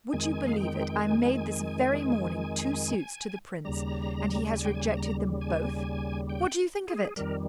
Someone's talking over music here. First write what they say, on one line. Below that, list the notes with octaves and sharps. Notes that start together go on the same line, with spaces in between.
Would you believe it, I made this very morning two suits to the Prince, and he has rejected them both; what do you think of it?'
F2 D#3 G#3 G#5
F5
G5
G#5
D#2 C#3 G3 A#5
G#5
G5
G#5
A#5
G#5
G5
G#4
F2 D#3 G3 A#4